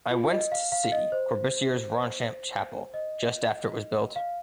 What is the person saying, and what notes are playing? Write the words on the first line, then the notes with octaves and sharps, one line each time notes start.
I went to see Corbusier's Ronchamp chapel just after it was built.
F4
D#5
F5
F5
F5
D#5
C5
D#5
F5